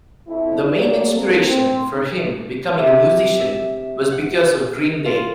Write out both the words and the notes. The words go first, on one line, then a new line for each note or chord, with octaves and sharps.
The main inspiration for him becoming a musician was because of Green Day.
F2 E4
D#2 F#3 G#3 G4 D5
A#3 C4 A4
C4
C3
E5
F#5
F4